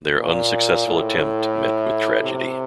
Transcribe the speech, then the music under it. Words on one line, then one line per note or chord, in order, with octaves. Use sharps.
Their unsuccessful attempt met with tragedy.
A#2
A2
C3